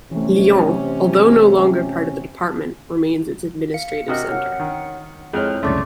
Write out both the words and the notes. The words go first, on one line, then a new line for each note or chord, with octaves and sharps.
Lyon, although no longer part of the department, remains its administrative center.
C3 E3 A3 C#4
F5 C#7
C3 F#4 A#4 D#5 F6
C#5 F#5
D#3
F2 G#3 C4 E4 C#5 F6
C2 F2 C#3 A3 D4 C6 D6 A6